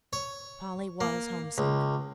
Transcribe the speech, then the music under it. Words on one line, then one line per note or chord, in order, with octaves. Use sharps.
Polly was homesick.
C#5
A#3
C#2